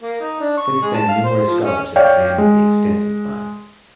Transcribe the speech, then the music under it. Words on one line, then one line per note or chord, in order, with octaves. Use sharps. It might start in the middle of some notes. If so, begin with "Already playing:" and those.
Since then numerous scholars have examined the extensive finds.
A#3
D#4
D4
C#6
G#3
A5
F5
C5
F3
C#4
C#5 D5 F5 G5
G#3